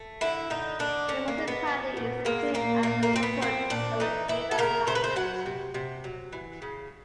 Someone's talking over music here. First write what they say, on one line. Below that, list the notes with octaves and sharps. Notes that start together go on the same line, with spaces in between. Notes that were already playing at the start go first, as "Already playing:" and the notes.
The municipality is located at the foot of the Jura Mountains.
Already playing: A3
D3 E4
D3 D#4
D3 D4
D3 C#4
A#3
G#3
B3
F3
A#2
G#3 A#3
A#2 A#3
A#2 A#3
A#3
A#2 C4
B3
F3 C4
A#2 D4
E3 D#4
E3 E4
A4
C#3 A#4
C#3 C5
B4
C5
F#3 F#5
C3
C3
F#3
E3
C#3